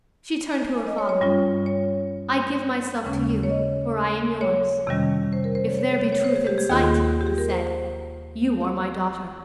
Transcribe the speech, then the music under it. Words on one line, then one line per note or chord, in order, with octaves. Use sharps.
She turned to her father--"I give myself to you, for I am yours." "If there be truth in sight," he said, "you are my daughter."
G#5
D#5
C#5
C#5
G2 G3 C#4 F4
C#5
D#2 C#3 G#3 C#4
C#5
D#5
C#5
F2 C3 D#3 G3 C#4
C5
A#4
C5
C#5
C#5
C#5
C#5
C#5
C5
G#4
G4
G#4
D#2 D#3 A#3 F4 G#4
G4
G#4
A#4
C5